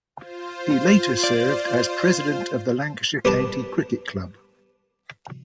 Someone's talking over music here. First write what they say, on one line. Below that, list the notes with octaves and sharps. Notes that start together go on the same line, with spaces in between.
He later served as president of the Lancashire County Cricket Club.
F4 C5
D5
B3 G4 B4 A5